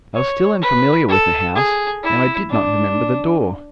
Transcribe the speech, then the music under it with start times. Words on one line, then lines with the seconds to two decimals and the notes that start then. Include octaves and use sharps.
I was still unfamiliar with the house, and I did not remember the door.
0.15 C#5
0.62 B4
1.09 A4
1.55 G#4
2.03 E4
2.50 D4